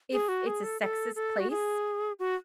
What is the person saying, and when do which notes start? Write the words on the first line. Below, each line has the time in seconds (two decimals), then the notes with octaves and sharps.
if it's a sexist place
0.12 G#4
0.29 F#4
0.47 G#4
0.63 A4
0.81 A4
1.15 A4
1.39 F#4
1.50 G#4
2.19 F#4